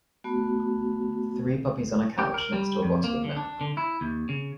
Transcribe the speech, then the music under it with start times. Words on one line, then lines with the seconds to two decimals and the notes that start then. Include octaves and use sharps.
Three puppies on a couch next to a bottle of milk.
0.24 A3 B3 F#4
2.19 G4
2.34 A#4
2.53 G3
2.83 F2
3.04 A#3
3.24 D3
3.37 D4
3.61 D3
3.77 E4
4.01 D#2
4.29 C#3